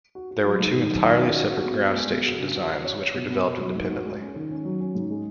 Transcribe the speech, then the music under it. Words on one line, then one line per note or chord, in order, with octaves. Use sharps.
There were two entirely separate ground station designs which were developed independently.
F#4
F#4
F#3
G#2
D#3
F#3
D#3
C#4
F#4
F#4
B3
B3
G#3
B3
F#4
C#3
F#4
F#4
C#5
C#5
B2
B3
B2
F#3
G#2
F#4
G#3
C#4
D#3
C#4
F#3
C#4
G#2
G#3